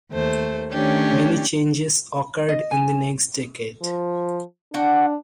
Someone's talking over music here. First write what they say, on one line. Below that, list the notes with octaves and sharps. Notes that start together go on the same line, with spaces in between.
Many changes occurred in the next decade.
D#2 A3 C5
D#3 A3 C#4 D4 G4 C#5
D#5
G#5
F3
D4 F#4 F#5 G5